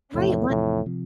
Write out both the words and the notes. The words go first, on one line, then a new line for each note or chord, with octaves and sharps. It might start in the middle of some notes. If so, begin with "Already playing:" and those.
Right. What
E2 A2 C3 F3
E2 A2 C3 F3
C3 F3